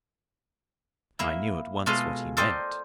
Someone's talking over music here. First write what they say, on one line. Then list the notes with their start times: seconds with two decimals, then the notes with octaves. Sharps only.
I knew at once what he meant.
1.19 A#3 E4
1.86 B2 G#3 F4 A4 D#5 F5
2.37 A4 A#4 C5 D5 D#5 G5